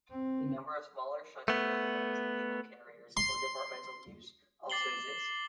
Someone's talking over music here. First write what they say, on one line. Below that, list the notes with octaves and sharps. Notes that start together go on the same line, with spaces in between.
A number of smaller shunting locomotives and people carriers for departmental use also exist.
C4
A3 B3
C6
D6 A6 C7 F#7 G7